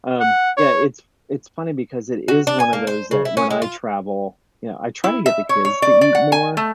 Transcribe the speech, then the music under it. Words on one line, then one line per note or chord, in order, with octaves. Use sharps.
um, yeah. It's it's funny because it is one of those that, when I travel, you know, I try to get the kids to eat more,
F#5
C#5
F#4
D4
G#5
A#3
C5
C#3
E4
C#4
G#3
F4
E4
E5
C#5
C#5
D5
D5
F#5
G#5
A3